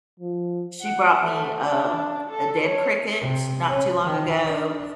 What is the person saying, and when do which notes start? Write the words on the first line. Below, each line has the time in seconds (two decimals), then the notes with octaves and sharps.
she brought me a a dead cricket not too long ago,
0.20 F3
0.82 F#5
1.25 A3
1.64 D4
2.30 A4
2.61 C#5
3.20 C3
3.68 C#4
4.04 D#3
4.45 D4